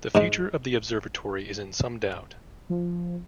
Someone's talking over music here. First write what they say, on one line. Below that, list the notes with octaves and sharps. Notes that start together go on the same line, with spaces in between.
The future of the observatory is in some doubt.
G#2 G#3
F3